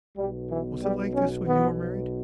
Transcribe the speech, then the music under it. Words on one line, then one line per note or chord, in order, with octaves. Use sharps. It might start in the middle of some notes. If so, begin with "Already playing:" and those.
"Was it like this when you were married?"
B1 B2 G3
E3
G3
C#4
B3